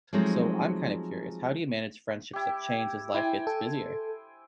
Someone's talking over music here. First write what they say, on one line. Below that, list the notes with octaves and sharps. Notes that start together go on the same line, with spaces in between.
So, I'm kinda curious, how do you manage friendships that change as life gets busier?
F3 F#3 G#3 A3 C4 D#4
E4 G4
E4 C5 G5 G#5
A4